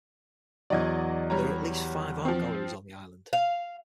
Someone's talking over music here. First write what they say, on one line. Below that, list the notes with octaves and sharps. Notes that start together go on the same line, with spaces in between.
There are at least five art galleries on the island.
E2 F#3 D5 D#5 G#6
G3 C#5 A#5
F3 C4
F5